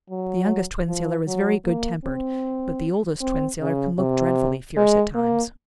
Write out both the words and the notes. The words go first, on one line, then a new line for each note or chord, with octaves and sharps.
The youngest Twin Sailor is very good-tempered but the oldest Twin Sailor can look dreadfully fierce at times.
F#3
F3
F#3
A#3
C4
C4
C#3
C3
G#3
A#3